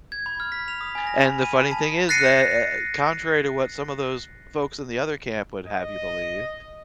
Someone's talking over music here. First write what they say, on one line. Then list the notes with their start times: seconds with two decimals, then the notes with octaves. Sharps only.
and the funny thing is that, u uh, contrary to what some of those folks in the other camp would have you believe
0.12 G#6
0.26 B5
0.40 F6
0.52 B6
0.68 F7
0.81 D#6
0.95 G#5
1.07 A#6
1.27 B5
1.41 D#7
1.56 B6
1.72 A5
2.09 F#6 A6 A#6 C7 C#7 D#7
5.67 D#5